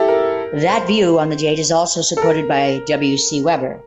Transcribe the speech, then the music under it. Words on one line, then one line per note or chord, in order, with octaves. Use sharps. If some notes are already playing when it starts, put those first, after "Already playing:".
That view on the date is also supported by W. C. Weber.
Already playing: E4 G4 A4
A#4
C5
A4
A#4